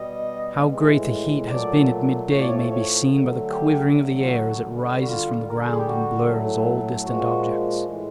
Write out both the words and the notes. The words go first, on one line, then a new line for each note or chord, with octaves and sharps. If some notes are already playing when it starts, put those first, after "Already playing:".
How great the heat has been at midday may be seen by the quivering of the air as it rises from the ground and blurs all distant objects.
Already playing: B2 G3 D#5
A2 E3 G#3
A#2 F#3 A3 D5
A2 F3 A3 C#5
D5
C#5
C#5
D3 F#3 A3
G4
D3 F#3 A3
F4
F#4
D3 G3
F#4
F4
D3 G3 A#4
A4
G#4
G4
F#4
A2 F#3 A3
A#2 F3 G#3 F#4
A2 E3 G#3